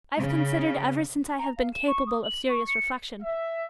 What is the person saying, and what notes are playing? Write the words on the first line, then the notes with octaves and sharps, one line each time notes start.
I have considered, ever since I have been capable of serious reflection.
C#3
A#5
F5
E7
C#6
D#6
F#7
C#6
C#7
E5